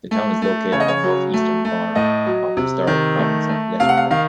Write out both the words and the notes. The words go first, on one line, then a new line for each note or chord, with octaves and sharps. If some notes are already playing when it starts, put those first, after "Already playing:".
The town is located in northeastern corner of historic province of Lesser Poland.
A3
A3
C#3 C#5
D#5
C#5
F#3
A3
A3
A2 D#5
F#3
C3
D#3
A3
A3
C3 F5
F#5
F5
D#3 F5